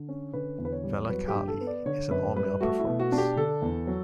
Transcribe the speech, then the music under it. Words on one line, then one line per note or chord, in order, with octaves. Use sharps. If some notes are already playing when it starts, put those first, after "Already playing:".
Velakali is an all-male performance.
Already playing: D3
C#4
D3 B4
E2
B4
C#5
G3
F#3 B4
G4
G2
A4
B3
D5
D3 C#5
F#2 B4
G3 B4
A3 F#4
E4
B2
F#4
D4
G4
D3 A4
E2
F#3